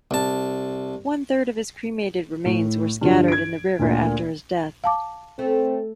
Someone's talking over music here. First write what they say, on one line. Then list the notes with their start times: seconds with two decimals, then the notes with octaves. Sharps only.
One third of his cremated remains were scattered in the river after his death.
0.11 C2 A5
2.46 A2
3.01 G2 D3 F3 D4 F4
3.28 G#6 D7
3.79 D2 A#2
4.84 F5 A5 D6
5.39 A3 C4